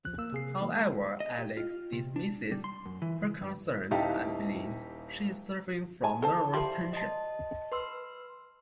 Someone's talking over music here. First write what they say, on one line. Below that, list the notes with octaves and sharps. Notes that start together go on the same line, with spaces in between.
However, Alex dismisses her concerns and believes she is suffering from nervous tension.
A1 F3 F#6
A#3 E6
C3 G#4 C7
E3 A#3
G#3
D#5
G4
F4
C3
D4
G3
C6
F#2
E3
C#2
G2
D#1 D#4 E4 G4 F5 A5
G#5 A5
A4 C5 A5
F3 G3 E4 C6
D#5 A5
B4 C6 E6